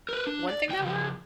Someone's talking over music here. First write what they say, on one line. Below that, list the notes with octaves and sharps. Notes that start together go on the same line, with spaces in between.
One thing that worked
A#4 B4
D4
D5
C#2 G5
C#3 F3